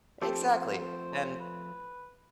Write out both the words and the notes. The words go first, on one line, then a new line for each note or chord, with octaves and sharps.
Exactly, and
F3 A3 C4 G4 A4 C5
B4